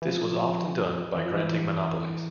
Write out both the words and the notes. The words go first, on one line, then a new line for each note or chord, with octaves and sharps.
This was often done by granting monopolies.
E3
F3
E3
F3
E3